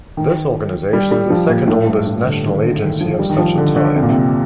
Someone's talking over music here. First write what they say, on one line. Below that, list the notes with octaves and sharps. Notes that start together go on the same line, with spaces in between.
This organization is the second oldest national agency of such a type.
D#3
G3
G3
F3
A#2
A2
G2
A2
D3
D#3
D3
D#3
F3
G3
D#3
F3
D3
D3
C3
A#2
C3